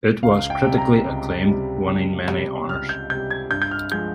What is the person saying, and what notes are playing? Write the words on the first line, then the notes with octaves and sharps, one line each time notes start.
It was critically acclaimed, winning many honors.
C#2 F5
G5
C3 G3
A#5
C#2
C3 G3
C#2
C3 G3
C#2 F6
G6
C3 G3 G6
G#6
G2 G6
G6
F6
F3 G#3 G6